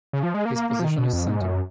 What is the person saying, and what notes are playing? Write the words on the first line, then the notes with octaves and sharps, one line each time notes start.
His position is centre.
C#3
F3
G#3
A#3
A#3
A#3
F3
D#3
B2
F2
G#2
F#2